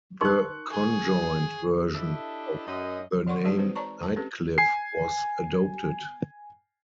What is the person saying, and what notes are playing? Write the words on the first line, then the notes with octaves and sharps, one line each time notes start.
The conjoint version of the name, "Nightcliff" was adopted.
D#4 A#4 C6 C#6 F#6
G#4
D4 E4 G4 A4 D#5 E5
F#2 D#5
E3 D5 F#5 C6 C#6
G#3 D#4 F#4 G#4 D5 A5
C4 F#4 B4 C5
C#5 D5 A5 A#5 C#6
A5
C4 C#4 G4 A4 B4
G#5 C7